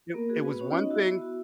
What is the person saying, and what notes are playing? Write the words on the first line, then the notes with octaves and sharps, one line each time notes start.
It it was one thing
A#3 B3 A#4
F#4 G#4
B3 B4
C#4 F#4 C#5
B3 D#4 D#5
E4 F#4 E5
B3
F#4